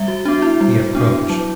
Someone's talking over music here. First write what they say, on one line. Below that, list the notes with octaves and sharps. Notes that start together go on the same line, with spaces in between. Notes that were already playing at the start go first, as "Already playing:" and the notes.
He approached.
Already playing: G3 E5
F#4
B3 D4 F#4
E4
G3
B3 D4
F#3